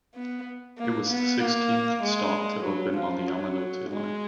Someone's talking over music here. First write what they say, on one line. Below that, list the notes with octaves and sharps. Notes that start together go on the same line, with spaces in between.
It was the sixteenth stop to open on the Yamanote Line.
B3
A#3
B3
A#3
G#3
F#3
F3
F#3
G#3